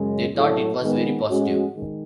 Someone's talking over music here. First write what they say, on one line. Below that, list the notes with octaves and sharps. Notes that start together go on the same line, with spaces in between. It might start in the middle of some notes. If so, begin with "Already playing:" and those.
They thought it was very positive.
Already playing: F#2 C#3 G#3
A2 F#3 A3
D#3 G#3 B3
A2 G#3 C#4 F#4
D#3 G#3